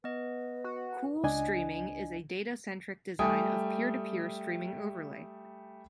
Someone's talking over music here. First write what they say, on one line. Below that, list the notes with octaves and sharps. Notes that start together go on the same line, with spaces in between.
Coolstreaming is a data-centric design of peer-to-peer streaming overlay.
B3 B4 D#5
F#4
C#2 D4 D#5 G#5
G3 A3 G5 G#5 D#6